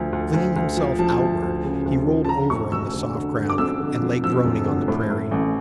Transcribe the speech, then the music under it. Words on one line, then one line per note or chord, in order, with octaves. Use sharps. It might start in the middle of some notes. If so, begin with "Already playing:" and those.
Flinging himself outward, he rolled over on the soft ground, and lay groaning on the prairie.
Already playing: D2 F3
D2
D2
D2
F3
F3 A5
D2
D2
C#3
D2
F3
A5
D3 A#5
F1 C#6
F1 E6
D3
D3
D3
D6
F2 E6
D3
F3
F3 E6
F1
D3
A2
A2
A1